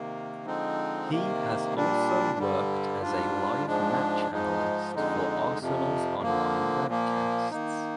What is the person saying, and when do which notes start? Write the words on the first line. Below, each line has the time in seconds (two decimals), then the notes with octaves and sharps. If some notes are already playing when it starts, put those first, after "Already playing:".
He has also worked as a live match analyst for Arsenal's online webcasts.
Already playing: C3 D#3 A#3
0.46 D3 F3 G#3 C4 D#4
1.11 C3 D#3 A#3
1.74 A#2 G3 D4
2.39 G2 D3 G3
3.02 G#2 G3 D4 F4
3.67 G#2 F3 G#3 D4
4.31 G#2 F3 G#3 D#4
4.95 F2 D3 G#3 D#4
5.59 F2 C3 F3
6.23 D3 F3 A#3
6.87 A#2 F3 A#3
7.51 D#3 A#3 D#4